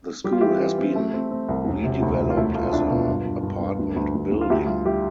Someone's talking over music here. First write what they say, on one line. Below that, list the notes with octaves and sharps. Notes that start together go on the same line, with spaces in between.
The school has been redeveloped as an apartment building.
G3 G4
F4
E3 E4 G4
E3
C4
A3
C4
C4
C2
E1
C3
D2
E1
F4
A3 E4
A3 F4
D4 E4
B2 F4
G2
G2
G2
G2
D2
D2
D2
D2
F4
D2 E4 G4
G3 F4
G3 E4 G4